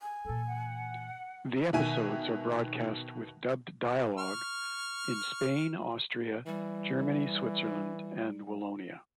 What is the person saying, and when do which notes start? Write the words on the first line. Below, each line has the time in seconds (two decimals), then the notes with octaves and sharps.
The episodes are broadcast with dubbed dialogue in Spain, Austria, Germany, Switzerland, and Wallonia.
0.01 G#5
0.25 A#2 E3 A4
0.47 F#5
1.73 B2 D#3 E5 G#5 D#7
4.18 C#6 F6
6.47 E3 G3